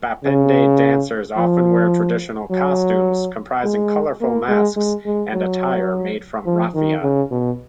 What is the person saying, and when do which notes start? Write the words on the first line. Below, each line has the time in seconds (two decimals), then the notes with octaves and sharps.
Bapende dancers often wear traditional costumes comprising colorful masks and attire made from raffia.
0.25 C#3
1.38 F3
2.51 F#3
3.64 G#3
4.21 A#3
4.48 G#3
4.76 G#3
5.06 G#3
5.33 F#3
6.46 F3
6.75 D#3
7.02 C#3
7.31 B2